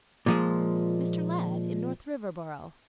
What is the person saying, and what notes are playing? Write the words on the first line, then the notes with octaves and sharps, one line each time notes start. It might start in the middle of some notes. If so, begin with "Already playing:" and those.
"Mr. Ladd, in North Riverboro."
A#2 F3 G#3